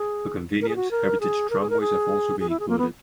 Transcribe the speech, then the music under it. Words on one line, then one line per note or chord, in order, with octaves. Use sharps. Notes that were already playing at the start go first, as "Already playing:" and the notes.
For convenience, heritage tramways have also been included.
Already playing: G#4
A#4
G#4
F#4
A#4
G#4
A#4
G#4
A#4
G#4
G#4
E4
G#4
A#3
B3